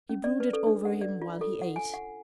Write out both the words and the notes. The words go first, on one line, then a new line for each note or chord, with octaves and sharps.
He brooded over him while he ate.
C#4
D5
B4
A4
D4
F#5
D5
F4
A4
F#5
G#5
F#5